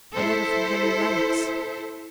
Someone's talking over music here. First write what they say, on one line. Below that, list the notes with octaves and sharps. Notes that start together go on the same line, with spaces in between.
'A letter from Henry Lennox.
E4 A4 C5